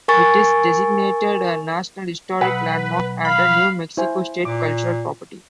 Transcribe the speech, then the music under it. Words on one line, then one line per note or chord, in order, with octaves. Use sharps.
It is designated a National Historic Landmark and a New Mexico State Cultural Property.
A#4 G#5 C#6 A6
B1 B4 F#5
F5 B5
E4 C5 G#5
A#2 D6